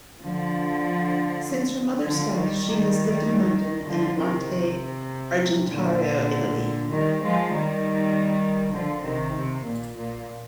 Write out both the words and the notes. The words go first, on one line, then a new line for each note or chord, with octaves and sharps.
Since her mother's death, she has lived in London and in Monte Argentario, Italy.
D3 F3
D3 F3
D#3 G3
D#3 G3
D3 F3
C3 D#3
C3
A#2 D3
D#3 G3
F3 G#3
D#3 G3
D3 F3
C3 D#3
C3
A#2
A#2